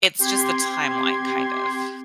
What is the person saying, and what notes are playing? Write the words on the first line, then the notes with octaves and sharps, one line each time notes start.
it's just the timeline kind of.
C4 G4 C6 G#6